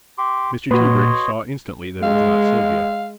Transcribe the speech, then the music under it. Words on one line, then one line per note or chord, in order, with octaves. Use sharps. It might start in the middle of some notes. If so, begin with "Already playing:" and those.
Mr. Tebrick saw instantly that it was not Silvia.
G4 C6 D6
A#2 F#4 B4 C#5 D#5 C6
G#3 F5